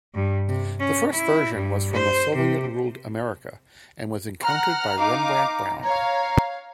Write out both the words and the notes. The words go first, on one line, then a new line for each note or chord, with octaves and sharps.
The first version was from the Soviet-ruled America, and was encountered by Rembrandt Brown.
G2
C3
C#4
E4
G2
C5
C3
F#5 A#5 F6
D#4 F5 D6
C#5 F5